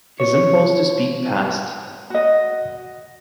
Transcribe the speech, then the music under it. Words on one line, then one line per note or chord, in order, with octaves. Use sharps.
His impulse to speak passed.
C#5
F#4 D#5